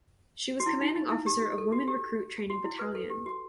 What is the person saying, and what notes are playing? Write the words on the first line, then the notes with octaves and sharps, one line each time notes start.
She was commanding officer of Woman Recruit Training Battalion.
F#4
E4
D#4
D#4
E4
G4
G4
A4
F#4
G4
F#4
E4
B4
A4
G4
F#4